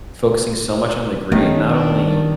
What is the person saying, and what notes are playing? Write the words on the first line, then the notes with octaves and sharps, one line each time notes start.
focusing so much on the grade not only
D#3 A3 B3 C#4
D4 D5